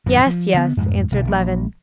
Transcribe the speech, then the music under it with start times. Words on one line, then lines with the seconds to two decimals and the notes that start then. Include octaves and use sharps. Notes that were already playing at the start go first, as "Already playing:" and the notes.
"Yes, yes!" answered Levin.
0.06 D#1 F#2 B2 D#3
0.26 F3
0.54 D3 B3
0.77 F2 G#2 B2
1.12 E1 B1 D3
1.27 A#1